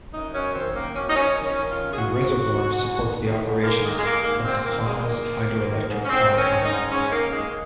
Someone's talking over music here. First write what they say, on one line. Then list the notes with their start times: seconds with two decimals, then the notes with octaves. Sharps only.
The reservoir supports the operations of the Kaunas Hydroelectric Power Plant.
0.14 F#2 D#4
0.34 F#2 C#4
0.55 D#3 C4
0.75 D#3 A#3
0.96 F#2 C#4
1.09 D#4
1.16 F#2 C#4
1.37 D#3
1.44 C#4
1.57 D#3
1.71 F4
1.78 F#2
1.92 G#4
1.99 G#2 F#4
2.19 D#3
2.40 D#3
2.60 G#2
2.81 G#2
3.01 D#3
3.22 D#3
3.43 G#2
3.63 G#2 A#3
3.84 D#3 G#3
3.98 G#3
4.04 D#3 A#3
4.24 G#2 A#3
4.45 G#2 C4
4.65 D#3 A#3
4.86 D#3 G#3
5.07 G#2 A#3
5.27 G#2
5.48 D#3
5.68 D#3
5.89 G#2
6.05 C#4
6.09 G#2 C4
6.30 D#3
6.37 C#4
6.50 D#3
6.64 D#4
6.72 G#2
6.91 G#2 C#4
7.12 D#3 A#3
7.32 D#3 G#3